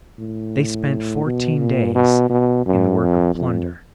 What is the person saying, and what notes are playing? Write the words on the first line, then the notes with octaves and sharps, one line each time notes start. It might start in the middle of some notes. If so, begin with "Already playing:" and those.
They spent fourteen days in the work of plunder.
A2
B2
A#2
B2
B2
F#2
F2
F2